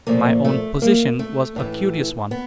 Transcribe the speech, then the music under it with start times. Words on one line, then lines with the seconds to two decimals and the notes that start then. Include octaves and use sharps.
My own position was a curious one.
0.07 A#2 F3 A3 A#3
0.45 A3
0.82 A#3
1.19 A3
1.56 A2 E3 A3
2.31 B3